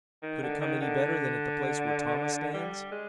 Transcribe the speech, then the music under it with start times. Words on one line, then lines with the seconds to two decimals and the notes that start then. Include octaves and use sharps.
"Could it come any better than at the place where Thomas stands?"
0.23 D#3
0.43 D3
0.61 D#3
0.81 D3
2.54 G3
2.92 G#3